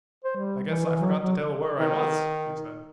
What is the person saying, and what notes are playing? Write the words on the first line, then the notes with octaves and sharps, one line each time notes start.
"I guess I forgot to tell where I was," he said.
C5
G3
E3
E3
F#3
F#3
D#3